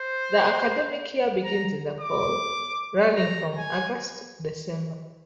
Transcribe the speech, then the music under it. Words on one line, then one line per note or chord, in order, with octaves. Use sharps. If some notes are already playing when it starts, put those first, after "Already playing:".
The academic year begins in the fall, running from August to December.
Already playing: C5
A#5
D6
A#5
G#5